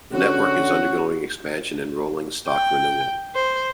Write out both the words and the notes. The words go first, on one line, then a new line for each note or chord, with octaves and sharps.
The network is undergoing expansion and rolling stock renewal.
D3 C#4 F#4 F#5
G5
C5